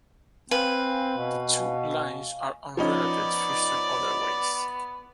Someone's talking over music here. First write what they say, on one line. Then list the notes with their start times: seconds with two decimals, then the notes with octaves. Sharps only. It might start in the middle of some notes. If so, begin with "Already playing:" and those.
The two lines are unrelated systems otherwise.
0.51 C4 B4 F5 G#5
1.17 B2
2.77 F3 B3 C#4 D#4 D5